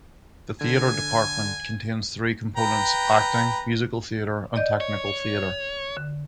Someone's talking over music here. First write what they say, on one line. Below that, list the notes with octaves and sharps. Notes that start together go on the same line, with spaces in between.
The theatre department contains three components: Acting, Musical Theatre and Technical Theatre.
D3 G#5
B4 G5 A#5
D5 D#5 G6
C#5
D3